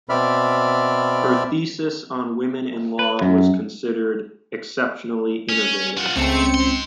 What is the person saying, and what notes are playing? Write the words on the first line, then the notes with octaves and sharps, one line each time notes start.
Her thesis on women in law was considered exceptionally innovative.
B2 C4 D5 E5 B5 F6
B4
F#2
C#4
F4 F#5
C#2 A3 C4 C#7
G#2 C6